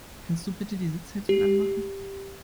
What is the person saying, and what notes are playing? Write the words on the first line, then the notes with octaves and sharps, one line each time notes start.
Kannst du bitte die Sitzheizung anmachen?
G4